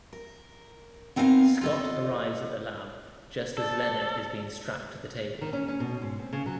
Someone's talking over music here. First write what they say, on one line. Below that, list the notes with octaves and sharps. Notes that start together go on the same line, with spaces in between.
Scott arrives at the lab just as Leonard is being strapped to the table.
A#4
B3 C4 D#4 A#4 F5 G#5
F4 A4 D#5
A4 D5
D#3
C#4
C#4
B2
G#2
C4
C#3
F#3